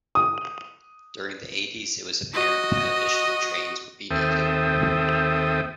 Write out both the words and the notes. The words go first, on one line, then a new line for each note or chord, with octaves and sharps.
During the eighties it was apparent that additional trains would be needed.
D#6
F#4 D#5
D#2 C4 A4 E5 G5 D#6